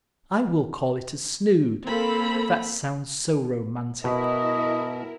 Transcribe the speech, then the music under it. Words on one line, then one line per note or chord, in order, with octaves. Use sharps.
I will call it a snood--that sounds so romantic.
A#3 C4 A4 B5
B2 E4 A#4 D#5